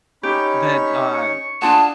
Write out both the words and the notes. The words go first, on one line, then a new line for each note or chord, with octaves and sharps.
that, uh,
C#4 D#4 G4 C#5 B5
C#6
D4 F4 G#4 F#5 A5